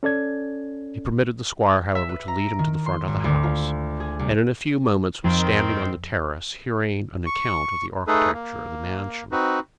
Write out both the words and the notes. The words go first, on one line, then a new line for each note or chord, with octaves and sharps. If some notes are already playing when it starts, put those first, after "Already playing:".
He permitted the squire, however, to lead him to the front of the house, and in a few moments was standing on the terrace hearing an account of the architecture of the mansion.
C#4 A4 D5 G#6
E5
B4
A#5
D7
D#3
C6
G#1
D2
F4
G#4
C2
F2 D#3 C4
C#6
A3 D#4 G#4 A4 B4
A#3
C4 D#4 F#4 B4